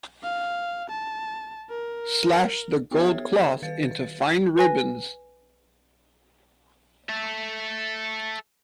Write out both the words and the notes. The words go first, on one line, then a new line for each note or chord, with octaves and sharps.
Slash the gold cloth into fine ribbons.
F5
A5
A#4
B3 G4 A4 C#5 E5 G#6
D#3 B4 F5 A6
B4 G#5 A#6
A4 E5